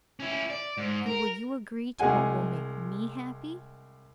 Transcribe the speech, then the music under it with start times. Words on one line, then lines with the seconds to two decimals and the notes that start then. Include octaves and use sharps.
"And will you agree to what will make me happy?"
0.20 C#4 E4
0.50 D5
0.78 G#2
1.06 A#4
1.99 C2 G#3 F#5 G#5